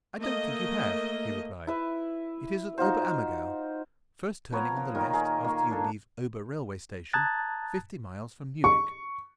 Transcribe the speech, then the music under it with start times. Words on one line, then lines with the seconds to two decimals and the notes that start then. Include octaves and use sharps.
"I don't think you have," he replied; "it is at Ober-Ammergau--first turning on the left after you leave Ober railway-station, fifty miles from Munich."
0.18 A3 A#3 D#5
1.67 E4 B4 E5
2.78 D#4 F4 F#4 C5
4.52 F3 B3 A#4 C#5
4.77 F4
4.95 A#2 D#3 A#4
5.13 G#4
5.44 A#3 C#6
5.71 D4 A4
7.13 A5 A#5 D#6 F#6 G#6 A6
8.64 C#6